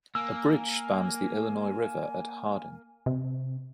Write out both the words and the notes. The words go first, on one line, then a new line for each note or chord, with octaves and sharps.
A bridge spans the Illinois River at Hardin.
A#3 G#5 E6
C3